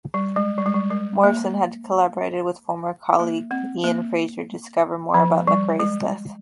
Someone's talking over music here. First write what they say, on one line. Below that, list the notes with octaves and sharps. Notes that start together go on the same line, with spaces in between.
Morrison had collaborated with former colleague Iain Fraser to discover more about MacRae's death.
G3
G#3
G3
G#3
G3
G#3
A#3
A#3
C4
A#3
F3
G3
G#3